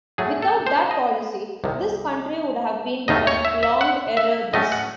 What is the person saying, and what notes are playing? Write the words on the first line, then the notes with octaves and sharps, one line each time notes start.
Without that policy, this country would have been lost long ere this.
A2 F#3 A3 G#4
A4
C5
D#5
C2 C3 D#3
D#2 D#3 A3 D#5
C#5
E5
E5
F#5
E5
A2 F#3 A3 C#4 D#5
F#5